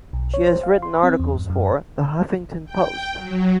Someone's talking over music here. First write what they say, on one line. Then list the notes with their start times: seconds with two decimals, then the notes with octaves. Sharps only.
She has written articles for "The Huffington Post".
0.13 B1
0.34 C#5
0.46 C5
0.63 F5
0.82 C6
1.03 C4
1.20 E2
1.35 G2
1.50 F#2
2.65 G5
3.16 F#3